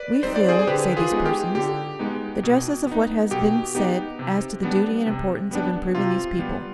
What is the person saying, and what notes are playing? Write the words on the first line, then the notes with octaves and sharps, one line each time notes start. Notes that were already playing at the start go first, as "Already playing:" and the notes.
We feel, say these persons, the justice of what has been said as to the duty and importance of improving these people.
Already playing: B4 D5
G3 C4 D#4 C5
D5
G#4 C5
G#4
D3 G4 B4
F4 G#4
G#3 B3 D#4
G4
D3 G4
G#3 B3 D#4
B2
B3 D#4
B2 G4
B3 D#4 G4
C3
G3 B3 D4
C3
G3 B3 D4
C3 F4
G3 B3